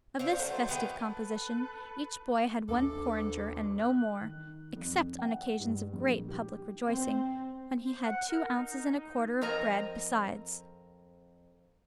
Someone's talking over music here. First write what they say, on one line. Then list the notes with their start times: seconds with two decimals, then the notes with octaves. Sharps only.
Of this festive composition each boy had one porringer, and no more--except on occasions of great public rejoicing, when he had two ounces and a quarter of bread besides.
0.19 C4 C#4 F5
0.39 F#3 A3 C5
0.69 D#3 B3 G5 G#5
1.06 A4 B4 F#6
2.68 D#2 A#3 D4 A4 D6
3.79 F#6
4.21 D#3
4.76 F2
5.19 F#5
5.60 G2
5.93 A#1
6.28 G4
6.87 C4
7.85 C5
8.03 F#5
8.28 A#4
8.47 D#4
8.70 D#4
9.41 F2 C4 A#4 D#5 A#5